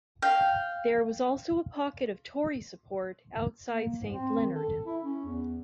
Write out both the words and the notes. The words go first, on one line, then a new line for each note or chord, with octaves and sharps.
There was also a pocket of Tory support outside Saint-Leonard.
F5 G5
A#3
G#2
C4
D#3
A4
E4
C#4
E2